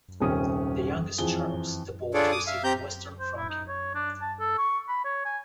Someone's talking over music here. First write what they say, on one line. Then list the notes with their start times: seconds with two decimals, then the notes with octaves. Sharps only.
The youngest, Charles the Bald, received western Francia.
0.20 D#1 C3 D#3 C#4 D#6
1.18 F2 E3 G#4 G7
2.14 D4 F4 G#4 A4 C#5 D5
2.31 D6 D#6
2.47 E5 F5
2.64 C4 G4 A#5 G6
3.20 C5
3.37 E4
3.49 D#4
3.68 C#5
3.95 D4
4.22 A5
4.40 A4
4.58 C#6
4.88 B5
5.05 C#5
5.25 G#5